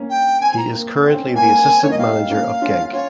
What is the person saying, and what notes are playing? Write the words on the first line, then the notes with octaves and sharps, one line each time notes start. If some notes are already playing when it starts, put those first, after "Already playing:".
He is currently the assistant manager of Genk.
Already playing: A#3 C#4
G5
C4 G#5
G#5
A#5
A#3
C4
C#4
C4
A#3 G#5
A#3
C4
A#3 C#4 C#5
D#5
D#4 G4 F5
A#3 C#4
C#4 F4
C#4 F4 C#5